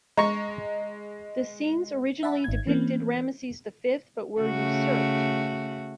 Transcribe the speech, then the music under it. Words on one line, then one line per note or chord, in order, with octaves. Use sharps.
The scenes originally depicted Ramesses the Fifth but were usurped.
G#3 A#5 C#6
E5 F#5 A5 B5
G#1 G#6
E3 A#3 C4 C#4
C#3 A3 F#4